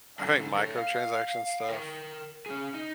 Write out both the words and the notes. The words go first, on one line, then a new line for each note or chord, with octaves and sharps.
I think microtransaction stuff
F#2 D3
A4 C#5
F5
A#4 G5
C#4 G#4
D#4